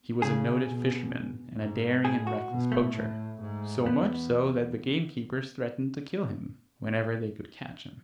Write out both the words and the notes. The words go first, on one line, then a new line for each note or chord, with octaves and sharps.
He was a noted fisherman and a daring and reckless poacher, so much so that the gamekeepers threatened to kill him, whenever they could catch him.
C#3 G#4
B2
G#2
A2 G#4
F#4
B2
A3
A2
G#2
E2 B3